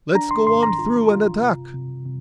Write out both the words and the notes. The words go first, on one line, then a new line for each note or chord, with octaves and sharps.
"Let's go on through and attack!"
D4 A#5
C6
G#2 C6
A#5
F4
F4
C3
C3
C3